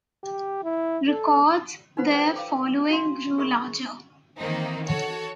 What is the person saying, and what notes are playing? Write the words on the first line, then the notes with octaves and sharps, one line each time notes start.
Records, their following grew larger.
G4
E4
A4
D#4 F4 B4 C5 F#5 B5
A4 D5 G5
F5 D6
D4 F#4 F5 C6
G#4 A#4 E5 B5 C#6
D#3 E3 A#3 C4 D#4
F#4 A4 C#5